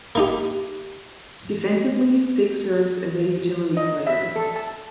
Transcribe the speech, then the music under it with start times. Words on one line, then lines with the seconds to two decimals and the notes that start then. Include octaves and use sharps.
Defensively, Fick serves as a utility player.
0.15 A#3 D#4 G4
3.77 D#5
4.07 E5
4.36 A4
4.56 A5